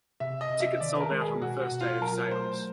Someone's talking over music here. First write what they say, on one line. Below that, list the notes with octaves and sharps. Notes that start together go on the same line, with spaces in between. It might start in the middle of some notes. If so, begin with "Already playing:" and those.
Tickets sold out on the first day of sales.
C3 E5
D#5
C3
E5
D#3 D5
B4
A#4
G#3
G#4
B2 F#4
F#4
B2
F4
F#3 A#4
A3 C5